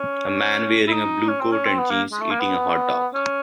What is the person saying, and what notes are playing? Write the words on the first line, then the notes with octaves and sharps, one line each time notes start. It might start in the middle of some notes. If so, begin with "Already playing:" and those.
A man wearing a blue coat and jeans eating a hotdog.
Already playing: C#4
E4
D#4
C#4
C4
C#4
C4
B3
A#3
G#3
A3
A#3
B3
C#4